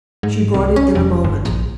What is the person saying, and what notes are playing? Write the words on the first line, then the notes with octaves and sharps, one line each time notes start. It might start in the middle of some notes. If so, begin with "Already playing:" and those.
She brought it in a moment.
G#2
C2
C#4
F1
G1
A#1